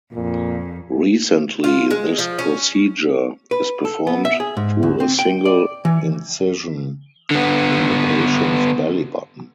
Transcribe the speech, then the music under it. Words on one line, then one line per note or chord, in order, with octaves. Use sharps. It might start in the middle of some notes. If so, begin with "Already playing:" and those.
Recently, this procedure is performed through a single incision in the patient's belly-button.
F2 A#2
F4
G#3
F3
C#4
B4
A4
B3
E5
G#4
G#2
D2
C4
G5
D5
E3
D3 B3